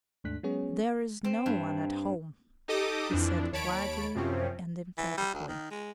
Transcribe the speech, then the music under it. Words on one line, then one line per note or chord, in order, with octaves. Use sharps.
"There is no one at home," he said quietly and emphatically.
D#2 G#2 A3 D4 F#6 B6
F#3 G#3 B3 C#4 G#4 C#5
C4
G2
D#4 G4 A4 D#5 D6 D#6
F2 E3 F3 D4
D#2 C#5 A5 B5 D7
F#2 C3 F3 C4 C#4
E3
G3
D2
D#3
G#3